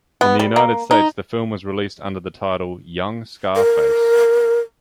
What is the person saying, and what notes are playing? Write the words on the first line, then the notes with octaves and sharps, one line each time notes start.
In the United States, the film was released under the title "Young Scarface".
B3
G3
A#3
D#4
A#4